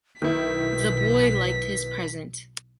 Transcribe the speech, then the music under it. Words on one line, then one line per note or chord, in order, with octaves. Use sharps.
The boy liked his present.
B1 D#3 E4 B4 B6